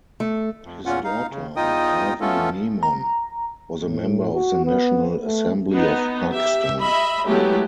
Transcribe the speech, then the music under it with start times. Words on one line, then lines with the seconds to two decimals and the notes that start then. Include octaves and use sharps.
His daughter, Marvi Memon, was a member of the National Assembly of Pakistan.
0.20 A3
0.64 F2
0.86 E2 A#2 C#4 F4 F#5
1.04 D#4 F5
1.31 C#3
1.56 E2 D#4 F4 D#5 G5 D#6
2.21 A3 B3 C#4 F4 A4
2.83 A#5
3.86 A2
4.33 F#4
4.65 B3
5.22 A3
5.73 B3 D#4
6.32 G4 E5
6.81 D#5 E5 B5
7.26 F#3 G#3 A3 B3 E4 G4